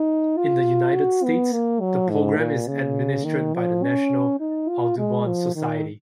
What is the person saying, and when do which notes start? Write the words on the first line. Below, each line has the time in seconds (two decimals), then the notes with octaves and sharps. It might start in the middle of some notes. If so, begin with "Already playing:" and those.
In the United States the Program is administered by the National Audubon Society.
Already playing: D#4
0.37 F4
0.95 F#4
1.24 B3
1.53 A#3
1.81 F#3
2.10 G#2
2.38 A#2
2.68 C#3
3.25 D#3
3.54 F3
3.83 C#4
4.40 D#4
4.69 F4
4.98 G#3
5.27 F3
5.56 D#3